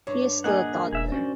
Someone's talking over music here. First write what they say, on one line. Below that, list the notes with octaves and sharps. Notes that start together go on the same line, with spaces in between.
He is still a toddler.
G2 C#5
A#2 D#3 A#3 G#4 D#5 F#5 G#5
E1 G#4 E5 E6
C#4 F#4 C5 D5